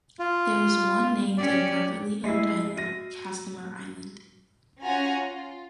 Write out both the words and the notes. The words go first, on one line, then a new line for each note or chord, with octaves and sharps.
There is one named and privately owned island, Casimir Island.
F4
C#4 G4 D5
G#3 A3 E4 E5 C7
F#4 A#6 D#7
C#4 F4 F#4 F#5 G#5 A#5
F4